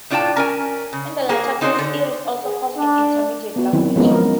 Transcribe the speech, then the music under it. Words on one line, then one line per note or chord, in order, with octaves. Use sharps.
In the latter case it is also called an "intermediate language".
A2 D4 F4 D5 G5 A5
C#4 A#4 G#5
C#3
A#3 F#4 G#4
C4 D#4 F#4 G#4 C5 D5
D3
G#4
D4
B3 F#4
D#3 F#3 C4 E4
F3 G#3 B3 C#4 D#4
F#3 A#4